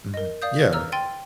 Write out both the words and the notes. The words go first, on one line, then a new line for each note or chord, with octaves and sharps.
Mhm, yeah.
A#4 D#5
D5 F5 D#6 G6
A#5 E6 F6
G5 C6 A6 D#7